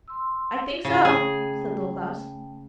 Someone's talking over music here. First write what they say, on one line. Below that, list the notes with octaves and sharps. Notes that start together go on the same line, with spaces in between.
I think so,' said Little Klaus.
C6 E6
C#3 E4 F5
A3 G#4 G5